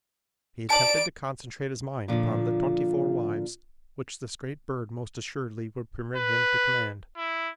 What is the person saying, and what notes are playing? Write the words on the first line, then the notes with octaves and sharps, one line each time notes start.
He attempted to concentrate his mind upon the twenty-four wives which this great bird most assuredly would permit him to command.
D5 A5 D7
A#2 D3 F3
B4
E4